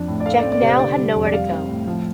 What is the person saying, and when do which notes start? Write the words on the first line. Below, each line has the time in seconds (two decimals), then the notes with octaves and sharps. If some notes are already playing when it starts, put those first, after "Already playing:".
Jack now had nowhere to go.
Already playing: F2 F3 D4
0.08 A2
0.20 D5
0.26 A3 F5
0.39 D5
0.43 C4
0.52 D5
0.62 C3 C5
0.79 D3 D5
0.98 G3
1.15 F2
1.25 D5
1.33 G3 F5
1.51 C4
1.68 A2
1.87 F3